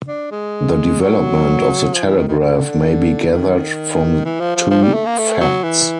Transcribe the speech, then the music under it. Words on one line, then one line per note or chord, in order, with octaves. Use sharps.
The development of the telegraph may be gathered from two facts.
D4
G#3
F#3
F3
E3
D#3
D#3
D3
D#3
E3
F3
F3
F3
G3
A3
A#3
A3
F#3
E3